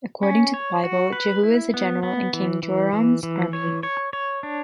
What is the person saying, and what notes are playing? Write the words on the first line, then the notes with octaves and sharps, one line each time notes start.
According to the Bible, Jéhu is a general in King Joram’s army.
C#4
C#5
F#4
B4
E4
B3
B3
E3
E3
E3
E3
C#5
C#5
C#5
D4